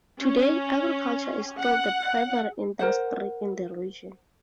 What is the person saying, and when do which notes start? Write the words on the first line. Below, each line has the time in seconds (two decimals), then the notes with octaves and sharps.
Today, agriculture is still the primary industry in the region.
0.20 C#4
1.60 F#5
2.79 A#4 C5 F#5